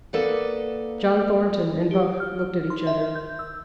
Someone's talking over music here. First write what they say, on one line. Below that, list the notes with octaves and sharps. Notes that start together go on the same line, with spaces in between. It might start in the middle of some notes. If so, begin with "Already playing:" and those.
John Thornton and Buck looked at each other.
A#3 D#4 A4 B4 D5 F#5
G4
F6
C6
E5
G6
E6